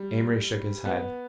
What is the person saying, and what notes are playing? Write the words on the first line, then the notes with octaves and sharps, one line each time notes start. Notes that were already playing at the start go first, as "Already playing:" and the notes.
Amory shook his head.
Already playing: G3
B3